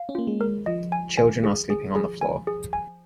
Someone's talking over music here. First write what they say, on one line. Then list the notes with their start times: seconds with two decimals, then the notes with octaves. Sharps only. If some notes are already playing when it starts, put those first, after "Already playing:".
Children are sleeping on the floor.
Already playing: F5
0.09 C#4
0.15 A#3 F4
0.27 G#3
0.41 A#4
0.66 F3 D#5
0.92 G#5
1.17 G#5
1.44 G#4
1.70 G#4
1.96 G#4
2.21 G#5
2.47 G#4
2.73 G#5